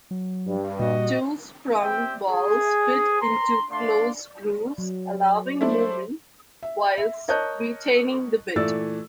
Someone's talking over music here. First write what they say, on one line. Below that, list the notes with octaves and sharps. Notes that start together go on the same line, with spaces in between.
Two sprung balls fit into closed grooves, allowing movement whilst retaining the bit.
F#3
G2
A#2 G3 F#4 D#5
C4 G4 E5 G5
G#4
A#5 C6
A3 D4 D5 F5 C6
F#3
A3 D4 E4 C5
E5
E5
A#4 C#5 D#5 A5 F#6 G6
A#2 E3 A3 D5 E6 A6